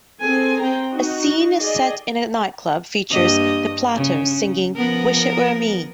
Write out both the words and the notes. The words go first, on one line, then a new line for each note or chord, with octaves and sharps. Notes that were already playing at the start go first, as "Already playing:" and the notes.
A scene set in a nightclub features The Platters singing "Wish It Were Me".
C4 G#4 A4 G#5
C4 G5 A#5
D#4 F#4
G#4 D5 D#5
G2 A#3 D#5
C#3
F3 B3 A#4